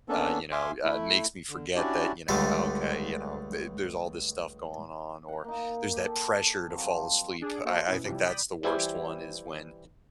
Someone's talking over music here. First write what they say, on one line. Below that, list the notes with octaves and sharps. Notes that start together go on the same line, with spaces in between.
uh, you know, uh, makes me forget that, you know, okay, you know, th there's all this stuff going on or there's that pressure to fall asleep. I I think that's the worst one is when
A#3 B3 C#4 D4 A4
E5 F5 G#5 C6 D6
A3 E4
D3
C#4 D4 E4 F#4 G4 D5
C#2 D3 G3 A3
F#5 A#5
A#3 D#4
G4 A4
F3 F#3 C4 A5
D4 G#4
A#3 F#4 A4 C5
B2 B3 C#4 E4
C3 E3 F3 G3
D5 G5 B5 D#6
E3 G3 E4 G4 C5 G#5